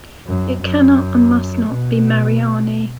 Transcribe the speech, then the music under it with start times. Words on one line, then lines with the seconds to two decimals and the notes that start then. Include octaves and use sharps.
It cannot and must not be Mariani.
0.27 F#2
0.62 F#2
1.68 B2